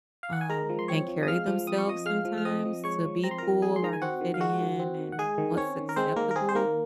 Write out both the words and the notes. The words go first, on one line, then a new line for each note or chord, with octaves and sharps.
um, and carry themselves sometimes to be cool or to fit in, and what's acceptable.
F5
F#5
G#5
G#3 A#4 A#5
F3
C6
C4 C#5 C#6
F3
D#6
G#3 F5 F6
F3
C4 D#6
C#6
F3 D#5 D#6
G#3 F5 F6
F3
F6
C4 D#5 D#6
F3
G#3 C#5 C#6
F3
C4 A#5
C6
F3 A#4 A#5
G#3 G#4 G#5
C6
D#3 A#5
G#5
C4 F#4 F#5
D#3
F5
G#3 F#4 F#5
D#3
C4
D#3
F#5
G#3 G#4 G#5
D#3
C4 C#4 C#5
D#3
A#4
G#3 C4 C5
D#3 A#3 A#4
A#4
C4 G#4
C5
D#3 A#3 A#4